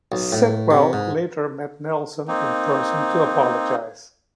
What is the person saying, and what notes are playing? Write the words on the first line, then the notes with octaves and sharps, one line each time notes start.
Sitwell later met Nelson in person to apologise.
B1
A2
C3
G#2
A#3 C4 D#4